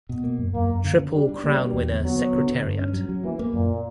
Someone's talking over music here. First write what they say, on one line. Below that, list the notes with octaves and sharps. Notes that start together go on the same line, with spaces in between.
Triple Crown winner Secretariat.
B2
A#3
F#2
F#2 A#3
F#2
D3
C#4
G3 D4
D4
G3 A#3
A#3
E2
D3
F#3 B3
B3
D3
D3
G2
C#4
F#3
F#3
E3 A#3
A#3
F#2 A#2